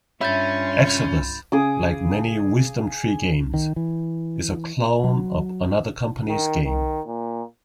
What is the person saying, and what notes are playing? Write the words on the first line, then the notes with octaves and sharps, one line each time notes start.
"Exodus", like many Wisdom Tree games, is a clone of another company's game.
G2 C#4 F4 E5 B5 G6 A6
C#3 G#4 D6 D#6
D#3
E3
F#3
D#3
D#3
A#2